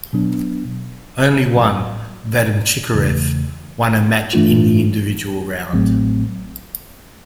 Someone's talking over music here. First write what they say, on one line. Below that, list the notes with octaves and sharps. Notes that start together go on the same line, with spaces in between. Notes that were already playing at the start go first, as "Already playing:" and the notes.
Only one, Vadim Chikarev, won a match in the individual round.
B2 F#3 B3 D4
A1 A2 F#3
E2 C#3 E3 A3
G2 E3 A3 D4 F4
A1 A2 F#3 A3 C4